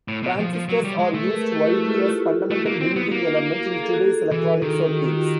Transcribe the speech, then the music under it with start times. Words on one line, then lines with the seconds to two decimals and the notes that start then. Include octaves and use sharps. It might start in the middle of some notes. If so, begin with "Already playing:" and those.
Transistors are used widely as fundamental building element in today's electronic circuits.
0.08 A2
0.23 B2
0.39 F3
0.53 F3
0.69 F#3
0.84 G3
0.99 G#3
1.14 A3
1.25 B4
1.29 G#4 A#4
1.49 G4 A4
1.69 E4 F#4
1.89 F4 G4
2.06 G4
2.10 E4 F#4
2.50 A3 E4 F#4
2.65 A#3
2.81 C4
2.96 B3
3.11 A#3
3.71 G#4
3.83 A4
3.93 F#4 G#4
4.31 E3
4.62 D#3
4.92 F4 G4
5.08 F#4
5.13 F4 G4